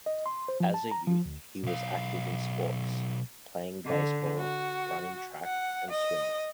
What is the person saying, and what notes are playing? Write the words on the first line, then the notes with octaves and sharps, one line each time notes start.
As a youth he was active in sports, playing baseball, running track and swimming.
D#5
C6
C5
F3
A5
A#5
F3
D2
B1 F5
D3
F#4
F#5
D#5